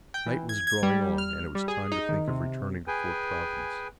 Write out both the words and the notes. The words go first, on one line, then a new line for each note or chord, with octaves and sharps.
Night was drawing on, and it was time to think of returning to Fort Providence.
G5
E3
G#6
G#6
G3
F6
G3
G#4
D#4
D#3
C3
G#4 B4 G5 G#5